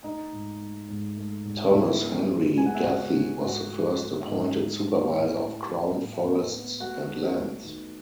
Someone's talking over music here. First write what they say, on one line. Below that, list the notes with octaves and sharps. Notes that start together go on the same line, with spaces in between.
Thomas Henry Duthie was the first appointed Supervisor of Crown Forests and Lands.
A3 D#4 D#5
G#2
A3
G#2
A3
G#2
C#3 E4 E5
B3
G#3
G#3 G#5
F#5
E5
C#3 F#4 F#5
C#3
G#2 F#4 F#5
A3
F#3
E5
G#2 D#4 D#5
A3
F#3
A2 E4 E5
A2
F#3
A2
B3
B3
A3 F#4 F#5
A3
A3
D#3